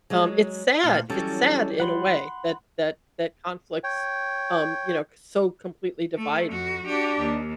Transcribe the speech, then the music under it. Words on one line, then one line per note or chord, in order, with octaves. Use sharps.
um, it's sad, it's sad in a way that that that conflicts, um, you know, so completely divide
F#3 G#3
D2 A#2 F5
E3 F#3 G3 C#4 A4
F#5 B5 C6
C#5 G5
A3
F2 F#4
D4 F#4 G4
D#2